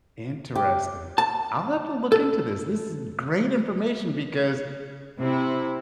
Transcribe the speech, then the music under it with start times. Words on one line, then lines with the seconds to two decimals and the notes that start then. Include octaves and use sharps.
Interesting. I'll have to look into this. This is great information because
0.55 G4
1.18 A5
2.12 A4
5.19 C3 E4